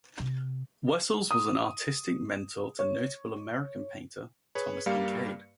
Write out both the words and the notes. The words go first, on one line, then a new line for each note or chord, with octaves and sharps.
Wessels was an artistic mentor to notable American painter Thomas Kinkade.
C3
D#6
C#5
G#4 B4 C#5
G2 G3 A#3 G4 F5 C#7